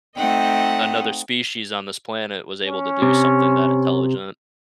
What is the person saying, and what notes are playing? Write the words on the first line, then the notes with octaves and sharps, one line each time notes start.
another species on this planet was able to do something that intelligent.
A3 C4 D#4 D#5 F#5 G5
C#4
C3